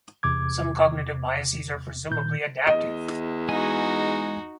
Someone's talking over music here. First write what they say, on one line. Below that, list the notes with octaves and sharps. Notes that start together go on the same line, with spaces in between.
Some cognitive biases are presumably adaptive.
E2 C3 D6 G#6
A#2 D#3 G6
E2 D#5
G#3 D#4 F#4 G#5